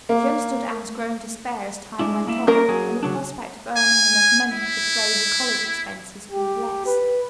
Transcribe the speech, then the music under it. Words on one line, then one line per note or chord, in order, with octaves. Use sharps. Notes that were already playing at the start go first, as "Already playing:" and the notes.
She understood Anne's growing despair as time went on, and the prospect of earning enough money to defray her college expenses grew less.
A#3
G#3 D4 E4
A#3 E4 E5
A#3 C#4 D4 A#4
F#3 G#4
C#3 F#3 D4
G#5
E4
G4
B4